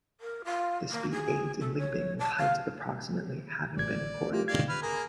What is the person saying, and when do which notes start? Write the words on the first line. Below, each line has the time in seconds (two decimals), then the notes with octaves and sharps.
This speed aids in leaping, with heights of approximately having been recorded.
0.20 A#4
0.44 F4
0.91 A#3
1.12 G#4
1.60 A4
1.77 C#5
2.19 A5
2.38 F5
3.77 A1 D5 G#6
4.31 A3 A#3 F4 G4
4.48 D#3 D5 F5 G#6
4.69 B4 F6
4.82 A#3 G#4 A#4